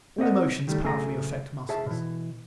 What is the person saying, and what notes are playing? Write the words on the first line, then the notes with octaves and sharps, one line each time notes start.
All emotions powerfully affect muscles.
C4 D5 D#5 F#5
D#3 G3 A3
B1 C#3 A3 G#4 C5 A#5
G#4 C#5 E5 A5
B2 E3